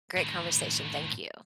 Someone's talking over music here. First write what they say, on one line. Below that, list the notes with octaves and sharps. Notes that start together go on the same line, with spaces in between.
Great conversation, thank you.
A2 D#3